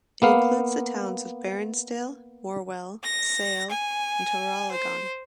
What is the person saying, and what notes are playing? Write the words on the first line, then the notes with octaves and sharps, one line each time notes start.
It includes the towns of Bairnsdale, Morwell, Sale and Traralgon.
A#3 B3 F5
A#6
G#5
C5